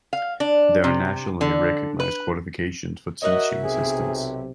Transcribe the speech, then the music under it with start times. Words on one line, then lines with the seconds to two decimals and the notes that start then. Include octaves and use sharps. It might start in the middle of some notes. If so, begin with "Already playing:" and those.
There are nationally recognised qualifications for teaching assistants.
0.13 F5
0.40 D4
0.84 C3
1.41 D3
2.00 B4
3.22 F#4 A#4 C#5 D#5 E5
3.64 B1 C3 G#4